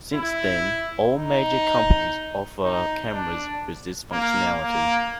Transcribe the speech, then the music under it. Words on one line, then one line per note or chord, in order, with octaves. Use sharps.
Since then all major companies offer cameras with this functionality.
E4
D#4
D#4
D4
A#3
A#3